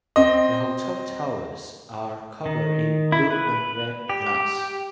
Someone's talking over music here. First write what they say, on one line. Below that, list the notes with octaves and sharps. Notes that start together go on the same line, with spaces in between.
The hotel towers are covered in blue and red glass.
C4 D#5
D#3
E4
B4
G4